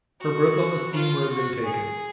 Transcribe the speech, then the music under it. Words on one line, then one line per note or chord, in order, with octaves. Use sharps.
Her berth on the steamer had been taken.
F#4
F4
F#4
G#4